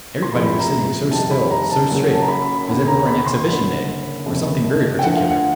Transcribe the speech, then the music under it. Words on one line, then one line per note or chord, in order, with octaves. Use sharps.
Everybody was sitting so still, so straight--as if it were an exhibition day, or something very particular.
C6
E2 C3 F3 B5
B5
A#5
F2 C3 D#3 G3 A5
B5
A#5
A5
F#1 F#2 C#3 F#3
A5
A#5
B5
B5
B5
E1 D#2 D3 B5
A#5
B5
C6
F#1 F#2 D3 B5
F#1 F2 C3
G5
D2 D3 F3 F#5
F5
F#5